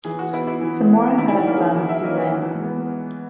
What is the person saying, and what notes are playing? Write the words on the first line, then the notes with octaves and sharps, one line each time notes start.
Samura had a son Sulayman.
E3 G#4
F#4
B3 E4
E4
E3
B3
D#3 E4
E4
F#4
F#3 A#3 C#4
G#4
D#3 F#4
E5
F#3 A#3 C#4 D#5
F#4
E3
G#3 B3